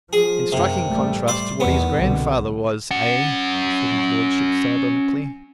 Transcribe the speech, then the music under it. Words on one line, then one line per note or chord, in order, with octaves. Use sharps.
"In striking contrast to what his grandfather was, eh?" said his lordship sardonically.
F3 G#4
F#2 C3 A#3
A1 G3 A3
C5 D5
E2 D#3 B3
C2 B2 D3
C#4 F#5